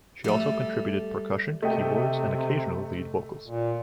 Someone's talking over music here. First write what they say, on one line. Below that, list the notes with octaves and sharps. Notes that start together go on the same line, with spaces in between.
She also contributed percussion, keyboards, and occasional lead vocals.
G3 A3
C3 A3 D#5 G5
A#2